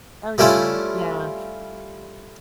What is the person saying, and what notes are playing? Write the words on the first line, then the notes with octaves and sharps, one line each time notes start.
Oh, yeah. Yeah.
G3 A3 C#4 E4 F4